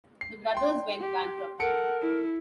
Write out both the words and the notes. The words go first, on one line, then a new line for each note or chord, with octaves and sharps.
The brothers went bankrupt.
C7
G5 C6
G4
A4 A#4 F#5 C#7 D7
E4